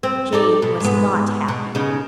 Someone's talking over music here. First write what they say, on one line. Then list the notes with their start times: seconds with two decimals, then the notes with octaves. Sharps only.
Jane was not happy.
0.03 C4
0.33 D#4 A4 D5
0.62 B2
0.80 G#2 B3
1.48 B2
1.75 C#3 B3 D#4